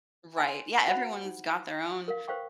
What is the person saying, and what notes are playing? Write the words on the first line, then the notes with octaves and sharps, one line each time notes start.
Right, yeah, everyone's got their own
G#5 C6
F#4 C5 F#5 B5
D#4
A#4 F5
B4 C5 F5 G5 C#6